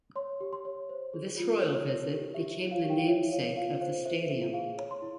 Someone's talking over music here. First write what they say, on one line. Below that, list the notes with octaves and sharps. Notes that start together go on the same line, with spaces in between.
This Royal Visit became the namesake of the stadium.
C#5 C6
G4
C6
C#5
C5
G#4
F4
C#5
C#5
G4
G4 E5
C#5
F5
G4
G5
F5
C#5 E5
C#5 F5
F4 F5
C5 F5
C5 E5
C5 E5
G#4 F5
C#5
C6
E4